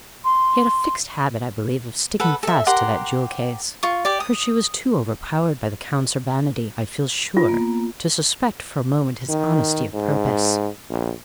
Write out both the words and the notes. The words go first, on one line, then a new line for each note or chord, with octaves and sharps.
She had a fixed habit, I believe, of sticking fast to that jewel-case; for she was too overpowered by the Count's urbanity, I feel sure, to suspect for a moment his honesty of purpose.
C6
A4 B4 F#5
A4 E5
G4 A#4 F#5 C6
F4 C#6
G4 D5
D#6
F4
A#3 B3
D#3
G#2
A#1